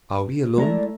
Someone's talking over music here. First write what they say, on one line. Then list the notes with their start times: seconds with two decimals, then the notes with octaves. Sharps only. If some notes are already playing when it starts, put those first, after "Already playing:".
"Are we alone?"
0.58 G#3 A3 E4 D5 E5 A#5